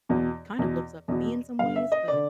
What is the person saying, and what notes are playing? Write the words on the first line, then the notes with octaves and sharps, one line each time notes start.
kind of looks up to me in some ways, but
E2 B2
E2 B2
E2 B2
G2 D3 F5
E5
D#5
D3 D5